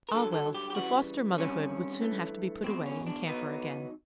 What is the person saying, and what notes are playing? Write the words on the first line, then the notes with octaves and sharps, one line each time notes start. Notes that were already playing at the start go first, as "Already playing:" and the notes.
Ah, well, the foster motherhood would soon have to be put away in camphor again.
A#4
G2 D3 F#3 A4
A4
G4
G4
C#3 E3 G3 F#4
G2 D#3 G3 C4 C#4
G2 E3 A3
E2 B2 G#3 C4
C#4
D4
E2 B2 F#3 B3 D#4